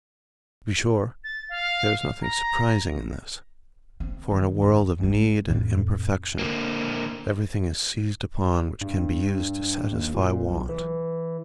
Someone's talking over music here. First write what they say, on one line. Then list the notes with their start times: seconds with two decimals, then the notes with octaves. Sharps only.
To be sure, there is nothing surprising in this, for in a world of need and imperfection everything is seized upon which can be used to satisfy want.
1.24 A6
1.49 F5
2.22 A#5
4.00 C4
4.31 D#3
4.62 F#2 D3
5.03 G#3
5.48 F2 A2
6.39 D3 A#3
8.81 G2
9.92 D#2
10.14 A#2
10.46 B1
10.69 E3